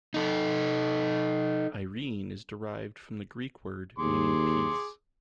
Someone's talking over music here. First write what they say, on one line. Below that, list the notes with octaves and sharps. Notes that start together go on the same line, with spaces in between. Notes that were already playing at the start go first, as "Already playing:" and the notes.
Irene is derived from the Greek word meaning peace.
D#4 A4
D#2 G#4 C6 D6